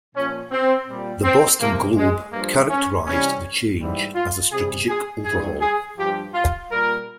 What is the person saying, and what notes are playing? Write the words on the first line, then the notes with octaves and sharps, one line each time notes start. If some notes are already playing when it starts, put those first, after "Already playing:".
The Boston Globe characterized the change as a strategic overhaul.
A#2 F3 C#4
C4
A#2 G3
C4
C3 F3 A#3
G#3
G2 F3 A#3
C#4
C3 E3 G3 C#4
G#2 E3 G3
F4
C3 G3 G#4
G#4
G2 E3 G3 G#4
G#4
G2 F3 G4
F4
A#2 G3 A#4